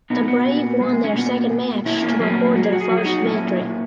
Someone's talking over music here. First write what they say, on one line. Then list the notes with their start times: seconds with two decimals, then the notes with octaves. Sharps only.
The Brave won their second match to record their first victory.
0.10 A#2 B3 D#4
0.28 B3
0.45 A#2
0.81 G#3
1.04 C#4
1.15 A#2 B3
1.50 A#2
1.85 A#2 C#4 E4
2.03 A#3 C#4
2.20 F#3 A#3 C#4
2.38 A#3
2.55 F#3 F#4
2.63 G#4
2.72 F#4
2.81 G#4
2.89 F#3 F#4
2.97 G#4
3.05 D#4 F#4
3.25 A#2 C#4 E4
3.61 A#2